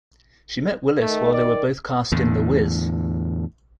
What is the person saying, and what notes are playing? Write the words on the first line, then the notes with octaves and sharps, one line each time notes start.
She met Willis while they were both cast in "The Wiz".
D#3 A3
D5
E2 A2 D3